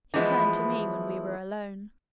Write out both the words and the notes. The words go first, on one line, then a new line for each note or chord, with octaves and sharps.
He turned to me when we were alone.
E3 F3 G#3 B3 E4